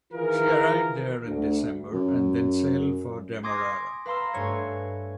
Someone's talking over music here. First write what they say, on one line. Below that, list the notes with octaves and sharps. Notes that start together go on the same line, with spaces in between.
She arrived there in December and then sailed for Demerara.
D#3 E3 F4 G#4 A#4
D2
F#2
G#5 C6 D6 D#6 G#6 A#6
B4 F5 A#5 C6 E6
G2 A3 C#5 G#5